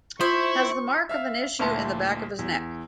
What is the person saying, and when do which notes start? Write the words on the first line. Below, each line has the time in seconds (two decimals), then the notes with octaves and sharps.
Has the mark of an issue in the back of his neck.
0.21 E4 F4 C5 E5 C#6
1.09 E5 F5 F6
1.59 D2 A#2 E4 A5 C6 A#6
2.39 E2